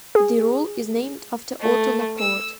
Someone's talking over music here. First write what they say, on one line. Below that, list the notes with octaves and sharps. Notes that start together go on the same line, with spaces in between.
The rule is named after Otto Laporte.
G#4
A3
E6